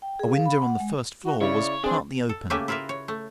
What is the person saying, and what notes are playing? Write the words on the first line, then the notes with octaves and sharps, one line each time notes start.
A window on the first floor was partly open.
G5
G#4
F5
B5
F#5
G#3
F#4
C#3 E4 C#5 D5
C4 D4 G#4
A4
C#3 A3 A#3 G4 E5 G#5
E4 F4 A#4 B4 E5
C#5
A3